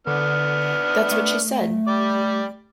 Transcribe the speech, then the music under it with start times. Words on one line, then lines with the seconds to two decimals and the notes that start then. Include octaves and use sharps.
That's what she said!
0.07 D3 B3 D4 F6
1.11 A3
1.88 G3 D5